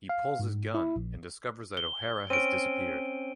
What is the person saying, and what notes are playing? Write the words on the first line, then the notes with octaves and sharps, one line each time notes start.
He pulls his gun, and discovers that O'Hara has disappeared.
F5
G#2
E4
A#1
G7
C4 C#4 D7 D#7